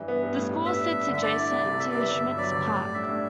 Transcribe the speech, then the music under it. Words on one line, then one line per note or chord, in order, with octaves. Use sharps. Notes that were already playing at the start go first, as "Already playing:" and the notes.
The school sits adjacent to Schmitz Park.
Already playing: G2 E3
B3
G2
A2
G3
B3 E5
D4
G2
D3
E5
A3 D5
E4
C2
C3
G3 E5
B3 D5
E5
G1
G2
F#3 D5
G1
A2
G3
D4 E5
A2